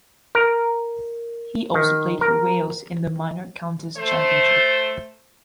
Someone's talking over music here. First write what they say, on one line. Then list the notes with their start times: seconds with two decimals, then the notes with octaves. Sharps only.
He also played for Wales in the Minor Counties Championship.
0.35 A#4
1.74 D#3
2.21 A#4
3.97 A3 C5